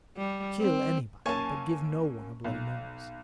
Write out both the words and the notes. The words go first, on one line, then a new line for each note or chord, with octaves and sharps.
Kill anybody, but give no one a bloody nose.
G3
C4
F#2 A#3 C#5 G#5 A5
B1